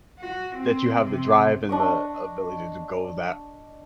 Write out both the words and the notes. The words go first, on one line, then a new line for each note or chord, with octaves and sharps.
that you have the drive and the ability to go that
F#4
C4
C3
D4 D#5 C#6